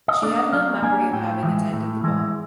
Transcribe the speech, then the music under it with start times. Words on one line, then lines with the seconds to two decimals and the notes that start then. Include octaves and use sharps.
She had no memory of having attended the ball.
0.08 D#5
0.23 A#3 D4 D5
0.38 D#5
0.53 F#3 F5
0.82 A#3 D4 G#5
1.13 A2 G5
1.43 E3 G#3
1.73 A2
2.04 E3 G#3